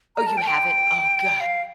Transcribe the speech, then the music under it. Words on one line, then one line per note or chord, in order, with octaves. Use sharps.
Oh, you haven't? Oh, god,
A#5
A5
G5
A5
G5
F5